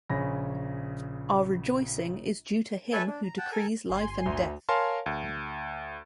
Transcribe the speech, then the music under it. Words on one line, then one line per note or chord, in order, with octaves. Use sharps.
Our rejoicing is due to Him who decrees life and death.
A#1 C#3 C#5 G#5 B5 A#6
A4 B4 C#5 E5 G#5 A5
D4
A#5
F#5 G5 A5
A4 A#4 G#5
G1 G#5 C6
D2
A#4 C#5 F5 G#5 A5 C6
D2